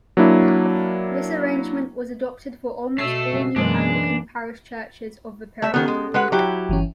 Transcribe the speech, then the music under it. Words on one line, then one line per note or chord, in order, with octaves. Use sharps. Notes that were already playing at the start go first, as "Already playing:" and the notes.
This arrangement was adopted for almost all new Anglican parish churches of the period.
F#3 A#3 D4 E4
B2 A3 A4 E6 C7
C#3 G3 B3
F#2 B2 E3 G#3 A#3 D4
A3 E5
D#3 B3 C#4 G4 A4
G#3
G#3 B4 F#5
F#3 E4 G4
G1 E3 C#4